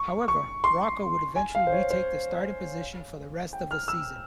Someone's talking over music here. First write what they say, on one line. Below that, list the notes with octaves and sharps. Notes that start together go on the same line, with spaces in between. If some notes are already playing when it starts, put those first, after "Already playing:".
However, Rocco would eventually retake the starting position for the rest of the season.
Already playing: C#6
C#6
C6
G#5
F5
C5
C#5
C5
G5
F6
E6